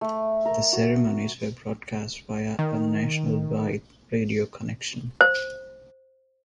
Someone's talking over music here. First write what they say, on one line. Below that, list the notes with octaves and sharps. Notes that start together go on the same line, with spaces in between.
The ceremonies were broadcast via a nationwide radio connection.
A3
A#4
F#4
D#3
C5